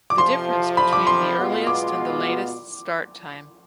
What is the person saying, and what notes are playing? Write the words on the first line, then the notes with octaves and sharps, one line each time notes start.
The difference between the earliest and the latest start time.
D6
F2 C3 F3 C6
B5
D6
C6
B2 G#3 B3 F4
D6